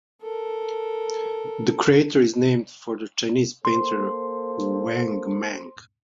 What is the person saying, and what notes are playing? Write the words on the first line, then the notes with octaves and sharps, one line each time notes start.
The crater is named for the Chinese painter Wang Meng.
A4 A#4
A#3 A4 C5 C6